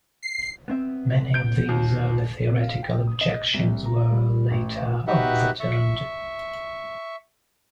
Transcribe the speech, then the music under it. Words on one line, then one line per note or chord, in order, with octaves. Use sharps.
Many of these early theoretical objections were later overturned.
C7
B3 C4 E5
G6 D7
D#2
C3
F5
G5
D#6
D#5
C2
A#5
G3
A1
D#4 F#4 G4 B4 E5 F#5
E5 C#6